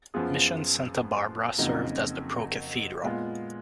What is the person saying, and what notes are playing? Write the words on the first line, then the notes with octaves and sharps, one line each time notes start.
Mission Santa Barbara served as the pro-cathedral.
F#2 F3 B3 F4 G#4
F2 C#3 F#3 A#3 D#4
A#2 G#3 B3 F4